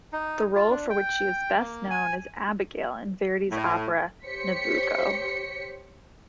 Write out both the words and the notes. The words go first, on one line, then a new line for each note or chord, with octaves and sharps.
The role for which she is best known is Abigaille in Verdi's opera "Nabucco".
D#4
F4
D4
G5
A#3
G#5
A2
G4 C5 C#5 B6 C#7